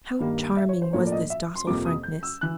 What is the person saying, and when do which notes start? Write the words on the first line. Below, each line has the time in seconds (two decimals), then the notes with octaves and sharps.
How charming was this docile frankness!
0.19 G2 D#3 G3 A#3
0.57 E5
0.69 C#5
0.82 C5
0.93 A2 F3 A#3 C#5
1.07 D5
1.12 D#5
1.30 E5
1.55 C6
1.67 F2 C3 F3 A#3 D6
1.85 D#6
2.03 G6
2.23 E6
2.41 E3 F#6